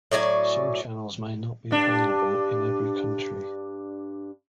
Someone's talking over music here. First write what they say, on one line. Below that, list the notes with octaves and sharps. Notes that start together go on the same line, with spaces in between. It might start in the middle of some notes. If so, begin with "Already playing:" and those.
Some channels may not be available in every country.
A2 F#3 D5 G#5
G2 D4